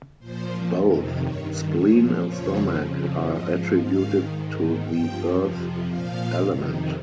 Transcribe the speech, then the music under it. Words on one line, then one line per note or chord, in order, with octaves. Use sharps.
Both Spleen and Stomach are attributed to the Earth element.
A#2 F3 C5
F2 C3 D#3
G2 D#3 C#5
A#2 F3 C#5
F2 C#3 F3 C#5
F2 C#3 F3
G#2 F3 D#5
G#2 D#3 F5
G#2 D#3
G2 F3 G5
F2 C3 F3
A#2 F3 F5
F2 C3 D#3